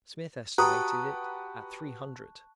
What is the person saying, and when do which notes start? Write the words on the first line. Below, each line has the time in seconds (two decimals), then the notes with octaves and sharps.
Smith estimated it at three hundred.
0.58 F#4 G4 B4 A5 A#5 C#6 D#6 F#6